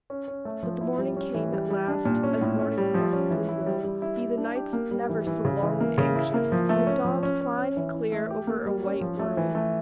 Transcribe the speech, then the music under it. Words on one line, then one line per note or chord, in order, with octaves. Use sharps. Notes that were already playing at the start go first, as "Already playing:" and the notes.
But the morning came at last, as mornings blessedly will, be the nights never so long and anxious, and it dawned fine and clear over a white world.
C#4
C#4
A3
F3
E4
G3
C#4
E3
G3
G3
D4
A#2
C#4
A2
C#4
G3
F3
C#4
E3
E4
G3
G3
E4
E4
D4
G4
A#3
G3
E3
E3
C#3
E3
A#3
C#3
E4
A#3
F3
A3
C#4
F3
C#4
C#4
C#4
E3
E4
A3
G4
A#3
G3
C#4
F3
A3
E3
A3